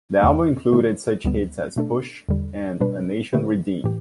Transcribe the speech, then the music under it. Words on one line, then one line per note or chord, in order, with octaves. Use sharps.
The album included such hits as "Push" and "A Nation Redeemed".
E2 D3 A3
D3 A3 E4
D2 D3 G3 B3
B2 A3 D4 A4
E2 D3 G3
B2 G3 D4 B4
D3 A3 G4 B4
A2 E3 G4